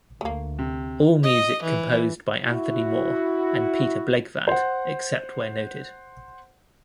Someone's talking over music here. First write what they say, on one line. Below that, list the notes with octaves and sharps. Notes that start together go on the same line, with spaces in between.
All music composed by Anthony Moore and Peter Blegvad, except where noted.
D2 A3 A#3
C3
D#5
E3
E4 F#4
C5 F#5